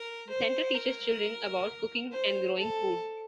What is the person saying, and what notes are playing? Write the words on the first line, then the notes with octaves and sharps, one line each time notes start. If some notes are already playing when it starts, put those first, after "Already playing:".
The center teaches children about cooking and growing food.
Already playing: A#4
C5
A#4
C5
A4